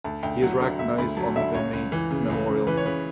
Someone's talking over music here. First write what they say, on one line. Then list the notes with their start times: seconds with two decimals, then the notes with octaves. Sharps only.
He is recognized on the Vimy Memorial.
0.04 D2 A5
0.23 D2 G5
0.42 F#3 F#5
0.60 D3
0.79 D2 E5
0.98 D2 B5
1.17 F#3 A5
1.36 D3 E5
1.54 C#2 C#5
1.73 C#2
1.92 E3
2.11 C#3
2.30 C#2
2.48 C#2
2.67 E3 B4
2.77 C#5
2.86 C#3 B4